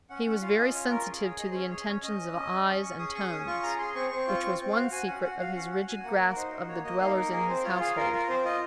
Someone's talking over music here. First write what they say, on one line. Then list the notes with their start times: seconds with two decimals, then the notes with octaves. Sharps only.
He was very sensitive to the intentions of eyes and tones; which was one secret of his rigid grasp of the dwellers in his household.
0.10 C#4 F#5
0.26 C#4 F#5
0.42 F4 F5
0.58 C#4 D#5
0.74 F4 C#5
0.90 C#4 A#4
1.06 G#4
1.23 G#4 C#5
1.38 G#4 D#5
1.50 C5
1.54 C#4 C#5
1.70 G#4 C#5
1.87 C#4 C#5
2.03 C#4 D#5
2.19 C#4
2.35 C#4
2.50 C#4
2.67 C#4
2.83 C#4 C#6
2.99 G#4 D#6
3.15 C#4 C#6
3.31 C#4 D#6
3.47 F4 C#6
3.63 G#4 A#5
3.79 G#4 C6
3.95 C4 C#6
4.11 C4 C#6
4.27 F4
4.43 C4
4.60 C4
4.75 F#4 F5
4.91 F#4 G#5
5.07 C#4 F#5
5.23 F#4 F#5
5.40 F#4 F5
5.55 C#4 F#5
5.71 F#4 F#5
5.88 F#4 G#5
6.04 A#3 F#5
6.20 F#4
6.28 A#4
6.36 D#4 C5
6.52 F#4
6.68 A#3 C#5
6.84 A#3 D#5
7.00 D#4 F5
7.16 A#3 A#4
7.32 G#4 A#4
7.48 C4 C5
7.64 F4 C#5
7.80 G#4 F5
7.97 F4 A#4
8.12 F4 A#4
8.28 C4 C5
8.44 F4 D#5